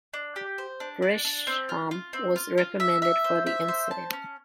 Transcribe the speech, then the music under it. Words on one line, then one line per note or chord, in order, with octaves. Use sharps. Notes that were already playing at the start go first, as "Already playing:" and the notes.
Grisham was reprimanded for the incident.
D4
G4
C5
D4
D4
D4
C4
F4
F4
C4
F4
F4
E5
E5
C5
E5
C5
A5
C#4